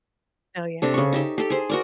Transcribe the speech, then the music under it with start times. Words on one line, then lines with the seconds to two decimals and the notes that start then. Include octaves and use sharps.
Oh, yeah.
0.82 C3 D4 A4
0.94 C#3 C#6
1.12 D#4 G4 E5
1.38 G4 A4
1.50 G#4 C5
1.70 F#4 A#4 D5